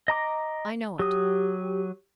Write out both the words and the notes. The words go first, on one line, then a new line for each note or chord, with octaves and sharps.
I know it.
D#5 A#5 D6
F#3 G4 D#6